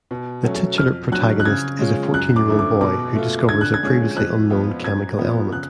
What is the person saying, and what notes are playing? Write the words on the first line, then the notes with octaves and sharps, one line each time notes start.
The titular protagonist is a fourteen-year-old boy who discovers a previously unknown chemical element.
B2
F#3 A3 C#4
F2 F6
D3 F#3 F#6
F#6
C#3 G#6
G#3 C#4 F4
F#2 F#6
D6
D3 F3 A3
D6
B2 D6
A3 F4
D3 G#6
F#6
G#6
G#3 C#4 F4
F2 F#6
F3 B3 F4
F#2 G#6
F3 B3 F4
C#3 F#6